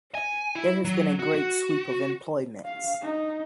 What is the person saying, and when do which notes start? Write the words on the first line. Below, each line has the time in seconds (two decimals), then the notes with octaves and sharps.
There has been a great sweep of employments.
0.15 G#5
0.55 E4
0.85 F#3
1.19 F#4
1.35 F#4
2.65 F5
3.02 D#4